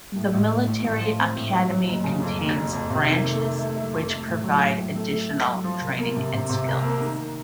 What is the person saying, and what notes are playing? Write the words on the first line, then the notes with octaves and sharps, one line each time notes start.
The Military Academy contains branches, which provide additional training and skills.
A2
A1
A2
A2
A1
F3
C4
A2
F#3
F#3
F#1
C#3
F2
F#1
F#1
F2
C3
D#3
A3
A3
A3
A3
F2
A3
A2
F#3
A2
A2
A3
A3
A3
F#3
F3
C2
A#3
C3
C3
C3
C2
A#3
D#3